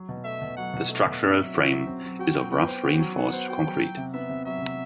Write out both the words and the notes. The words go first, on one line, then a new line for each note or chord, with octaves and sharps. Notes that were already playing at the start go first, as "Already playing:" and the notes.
The structural frame is of rough reinforced concrete.
Already playing: F#3
B2
A3 E5
B2
F#3 F#5
B2
A3 E5
B2
C4
F#3
F#4
F#3
C4
F#3
F#4 G5
F#3
B3 G5
C5
F#4
F#3
B3 F#5
C5
F#4 G5
F#3
F#3
C3
B3 E5
C3
F#3 E5
C3